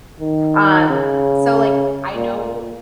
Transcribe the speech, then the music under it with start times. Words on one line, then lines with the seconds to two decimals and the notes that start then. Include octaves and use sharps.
Um, so, like, I know
0.20 D#3
0.89 C#3
2.15 A#2